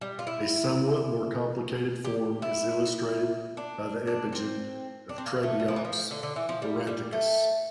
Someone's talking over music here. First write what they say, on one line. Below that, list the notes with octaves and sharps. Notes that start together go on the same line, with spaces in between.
A somewhat more complicated form is illustrated by the epigyne of "Trabeops aurantiacus".
G3
F4
E4
G4
E4
D4
D4
C4
D4
C4
A#3
A3
G3
F3
E3
F3
D3
D3
E3
F3
G3
G3
A3